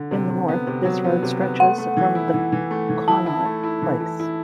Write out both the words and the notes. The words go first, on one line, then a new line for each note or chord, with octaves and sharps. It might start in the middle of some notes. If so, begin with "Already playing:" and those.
In the north this road stretches from the Connaught Place.
Already playing: D3
C3
C3
B3
C3
F#3
B3
C3
B3
A3 F#5
A3
E3
E4
E3
E3
A3
E3
E4 A5
E4
A3
E4
E3
E4
E4